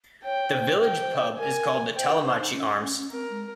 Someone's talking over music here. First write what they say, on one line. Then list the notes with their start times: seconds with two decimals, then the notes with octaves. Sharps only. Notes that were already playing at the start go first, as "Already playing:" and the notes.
The village pub is called the Tollemache Arms.
0.24 C#5 G5
0.49 C#5
0.53 C5
0.82 C5 G5
1.01 C5
1.19 C5
1.38 A#4 G#5
1.96 C5 G5
2.10 D#4
2.25 D#4 C5
2.39 D#4
2.53 C#4
2.82 C#4
2.97 C#4
3.11 C4 A#4
3.30 G#3